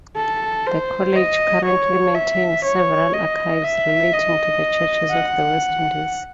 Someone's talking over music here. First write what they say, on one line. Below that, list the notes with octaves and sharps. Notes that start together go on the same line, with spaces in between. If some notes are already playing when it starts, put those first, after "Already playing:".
The college currently maintains several archives relating to the churches of the West Indies.
A4
C5
D#5
C#5
E5
C#5
D#5
E5
D#5
F#5